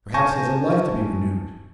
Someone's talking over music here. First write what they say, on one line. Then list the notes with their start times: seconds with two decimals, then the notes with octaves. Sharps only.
Perhaps he has a life to be renewed.
0.14 G#5 A5 C#6 G6 A#6